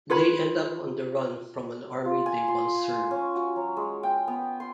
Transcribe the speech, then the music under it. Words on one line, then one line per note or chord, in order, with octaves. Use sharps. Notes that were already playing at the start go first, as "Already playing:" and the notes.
They end up on the run from an army they once served.
F4 B4 C#5 B5
F4
G#5
C6
C#4
F#4
F#3
G#3
G5
B3
C6